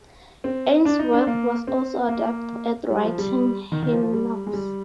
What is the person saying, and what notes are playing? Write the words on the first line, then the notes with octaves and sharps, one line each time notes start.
Ainsworth was also adept at writing hymnals.
C4
D4
D#4
D4
A#3
C4
A#3
G3
F3
G3
D#3
D#3
F3
F3
G3
G#3
G3